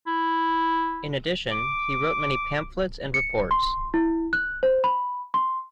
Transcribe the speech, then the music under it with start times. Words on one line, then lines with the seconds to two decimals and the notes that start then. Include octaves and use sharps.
In addition, he wrote many pamphlets and reports.
0.07 E4
1.52 D6
3.14 C#7
3.51 C6
3.94 E4
4.33 F#6
4.63 C5
4.84 B5
5.34 C6